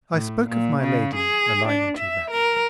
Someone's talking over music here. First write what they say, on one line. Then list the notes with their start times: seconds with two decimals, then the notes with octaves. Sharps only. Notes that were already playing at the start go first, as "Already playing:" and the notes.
I spoke of my lady a line or two back.
0.13 A2
0.49 A#2
0.82 C#3
1.16 G#4
1.68 D4
1.98 E5
2.30 A#4